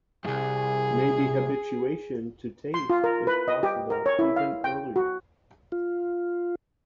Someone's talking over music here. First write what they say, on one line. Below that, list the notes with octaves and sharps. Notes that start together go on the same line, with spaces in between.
Maybe habituation to taste is possible even earlier.
C2 F#2 G#4
C6
F4
A#4
B4
D#5
G4
A#4
C#5
E4
F5
G5
F#4
F4